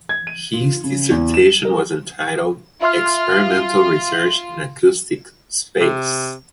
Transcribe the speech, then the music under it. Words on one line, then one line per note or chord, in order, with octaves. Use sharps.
His dissertation was entitled "Experimental Research in Acoustic Space".
G#6
D#7
F4
C#3
E2
E7
A#4
F4 E5 C6 F6
C3